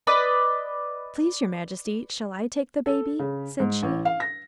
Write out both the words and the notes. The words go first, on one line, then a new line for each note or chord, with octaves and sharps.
"Please, your Majesty, shall I take the baby?" said she.
B4 D5 D#5
A4
C#3
G#2
A1
F5
A#6